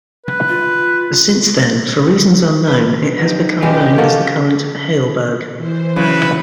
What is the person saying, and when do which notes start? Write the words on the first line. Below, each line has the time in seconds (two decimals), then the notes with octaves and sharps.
Since then, for reasons unknown, it has become known as the current "Haleburg".
0.26 B4
0.49 F4
2.68 B4
3.19 F#3 D#4 G4
3.62 B2 E3 G3 G#3 C#4 F4 G4 D#5
3.98 A#3 D4 F#4 A4
5.56 E3 C5
5.96 C#3 F#3 E4 B4